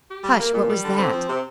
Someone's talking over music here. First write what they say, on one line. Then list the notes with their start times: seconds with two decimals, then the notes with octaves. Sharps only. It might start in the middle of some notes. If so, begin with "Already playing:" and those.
"Hush! what was that?"
0.08 G4
0.24 G3
0.39 A#3
0.54 A#2
0.69 G3
0.84 D3
0.99 C4
1.14 F3
1.29 C3